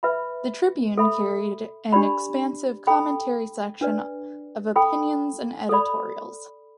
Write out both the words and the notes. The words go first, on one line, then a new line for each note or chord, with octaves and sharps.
The "Tribune" carried an expansive "Commentary" section of opinions and editorials.
B4 E5 B5
A4 E5 B5
D4 G4 D5 B5
A4 G5 B5
D4 B4 D5
A4 G5 B5
A4 D5 B5